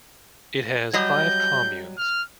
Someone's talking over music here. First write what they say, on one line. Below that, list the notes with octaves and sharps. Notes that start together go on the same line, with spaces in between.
It has five communes.
F#3 G3 D#5 G6
F6